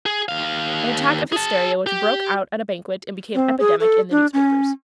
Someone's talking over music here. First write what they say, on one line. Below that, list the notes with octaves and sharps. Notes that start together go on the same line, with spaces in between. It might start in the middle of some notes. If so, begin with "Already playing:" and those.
An attack of hysteria which broke out at a banquet and became epidemic in the newspapers.
G#4
D#2 F5
G#4 A5
G4
C4
G#4
A4
D4
C#4